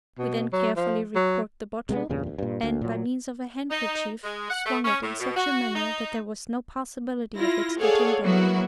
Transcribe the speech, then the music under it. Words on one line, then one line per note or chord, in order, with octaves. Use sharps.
We then carefully recorked the bottle, and, by means of a handkerchief, swung it in such a manner that there was no possibility of its getting broken.
B2
F#3
F3
F#3
C3 G#3 A#3 B3
E2 G2 A#2 C#3
D2
G2 A#2
D2
A#2 F#3
D#4
G#3
F#5
A3
C#4
A2
B2
F#4
D#4
E4 F4 A#6
G#4 A4 C#5 D5 F5 F#5
F#3 A#3 B3 E4 F#4